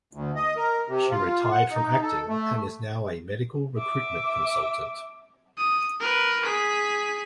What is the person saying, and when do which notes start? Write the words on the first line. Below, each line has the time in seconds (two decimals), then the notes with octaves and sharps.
She retired from acting, and is now a medical recruitment consultant.
0.13 D2
0.36 D#5
0.56 A#4
0.88 C3
1.11 F4
1.52 F#5
1.71 D#4
2.02 A4
2.29 A3
3.78 E5 D6
5.58 D#6
6.00 A#4 B4
6.44 G#4 B6